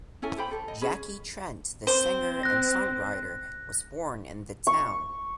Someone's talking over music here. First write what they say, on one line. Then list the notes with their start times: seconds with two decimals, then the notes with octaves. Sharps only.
Jackie Trent, the singer and songwriter, was born in the town.
0.22 C#4 E4 A4 G#5
0.37 G4 C5 G5 B5
0.51 A4
0.68 D#5
0.82 C#4 G#4 B5
1.87 C4 C5
2.43 F#6 A#6
4.67 C#6